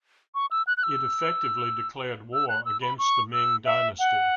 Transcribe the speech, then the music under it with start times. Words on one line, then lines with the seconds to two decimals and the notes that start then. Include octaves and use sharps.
It effectively declared war against the Ming dynasty.
0.35 C#6
0.51 E6
0.67 F#6
0.77 F#6
0.83 E6
2.33 E6
2.49 F#6
2.65 E6
2.82 B5
2.98 C#6
3.33 E6
3.65 E5
3.99 F#5